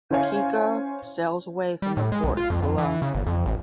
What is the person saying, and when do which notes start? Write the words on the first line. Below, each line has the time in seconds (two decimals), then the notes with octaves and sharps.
Akiko sails away from the port alone.
0.11 C#4 E4 C5 C#5 F5 G#5
1.82 G3
1.97 A2
2.12 G#3
2.24 B1
2.37 F4
2.50 F2
2.63 F2
2.78 E3
3.02 C#3
3.15 G1
3.27 F2
3.46 A1